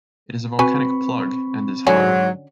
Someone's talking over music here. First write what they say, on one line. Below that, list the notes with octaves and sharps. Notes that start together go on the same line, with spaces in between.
It is a volcanic plug and is high.
C4 F#4 B4 G#5 B5 C#6
G#2 D3 F#3 C#4 F#4